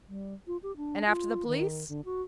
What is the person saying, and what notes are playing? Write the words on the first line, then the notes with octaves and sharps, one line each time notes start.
And after the police?
G3
F4
G4
D4
F4
D#3
D3
F#4